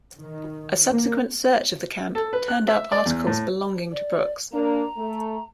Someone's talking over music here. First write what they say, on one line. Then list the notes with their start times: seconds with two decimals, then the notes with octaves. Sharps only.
A subsequent search of the camp turned up articles belonging to Brooks.
0.19 D#3
0.91 A#3
2.15 A4
2.33 B4
2.48 F#6
2.68 E5
2.92 D5
3.05 E2
3.27 A2
3.91 D5
4.52 A#3 D4 A#5
4.97 A3